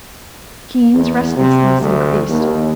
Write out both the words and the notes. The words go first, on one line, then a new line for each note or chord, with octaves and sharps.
Keene's restlessness increased.
E2
C3
D2
D#2